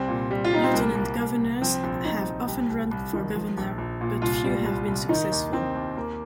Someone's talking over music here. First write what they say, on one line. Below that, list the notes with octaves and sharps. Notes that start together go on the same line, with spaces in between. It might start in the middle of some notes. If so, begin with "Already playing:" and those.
Lieutenant governors have often run for governor, but few have been successful.
Already playing: C2 G3 C4
A#2
G3
F4
G3 D#4
C4
C2 A#3
C2
C2
C2
F3 C4
A#1
A#1 D#4
A#1
C2 G4
C2
C2
D#3
F3
A#1
A#1
A#2
C2 F4
G3
C2
C2
D#3 D#4
D#2
D#3 C4
D#2
D#2 A#3